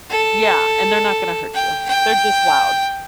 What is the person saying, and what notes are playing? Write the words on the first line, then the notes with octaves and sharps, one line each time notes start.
Yeah. And they're not gonna hurt you, they're just loud.
A4
G5
G5